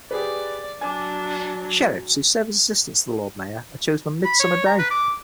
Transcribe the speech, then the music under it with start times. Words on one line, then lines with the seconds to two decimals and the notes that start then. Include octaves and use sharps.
Sheriffs, who serve as assistants to the Lord Mayor, are chosen on Midsummer Day.
0.11 G4 G#4 B4 D5
0.81 F#3 D4 G#5 D6
4.25 B5
4.40 C#5
4.66 A#5
4.79 B4
4.91 D6